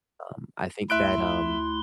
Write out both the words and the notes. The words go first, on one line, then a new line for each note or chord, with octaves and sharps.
um, I think that, um
D2 E4 E5 C6 F#6 D7